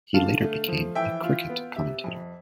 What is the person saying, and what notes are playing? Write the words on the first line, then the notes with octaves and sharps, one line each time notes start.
He later became a cricket commentator.
D3 F5 A5
A3
F3
E3 E5 G5
F4
B3
C3 E5
F2